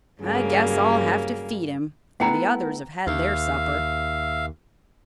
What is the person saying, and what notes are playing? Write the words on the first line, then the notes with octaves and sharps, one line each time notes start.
"I guess I'll have to feed him, for the others have had their supper."
G2 C#3 F#3 A#3
A3 B3 E4 F#5 G5 A#5
D#2 E5 F5